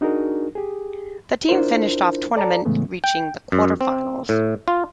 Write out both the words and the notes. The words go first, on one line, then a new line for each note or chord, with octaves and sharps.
The team finished off the tournament reaching the Quarter-Finals.
D4 D#4 F#4 G#4 A#4
G4 G#4
D4 E4 F4 A#4 C5
A4 D5 A5 A#5
A2 C#3 E3 G#3 A3 B3
G5
F#2
C4
A2
F4